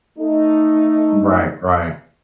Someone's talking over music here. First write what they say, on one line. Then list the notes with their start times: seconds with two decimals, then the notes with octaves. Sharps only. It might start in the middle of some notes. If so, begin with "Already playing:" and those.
Right, right.
0.19 A3 D#4